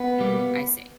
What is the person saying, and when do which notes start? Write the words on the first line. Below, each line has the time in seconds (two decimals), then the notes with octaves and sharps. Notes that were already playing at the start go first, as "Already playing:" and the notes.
I see.
Already playing: B3
0.18 B2 G3 A#3